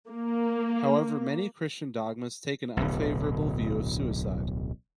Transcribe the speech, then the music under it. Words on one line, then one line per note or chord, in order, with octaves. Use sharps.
However, many Christian dogmas take an unfavorable view of suicide.
A#3
D1 B1